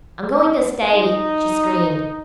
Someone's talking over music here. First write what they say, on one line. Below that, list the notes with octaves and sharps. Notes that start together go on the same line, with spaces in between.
"I'm going to stay!" she screamed.
D#4